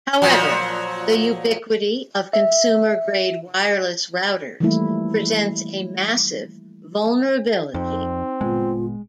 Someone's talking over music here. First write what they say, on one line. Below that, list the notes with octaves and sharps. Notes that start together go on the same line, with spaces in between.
However, the ubiquity of consumer grade wireless routers presents a massive vulnerability.
A#2 F3 F#3
E5
E3 F3 G3 A3 A#3 E4
F2 C4 D#4
G1 A#2 G#3 B3 F4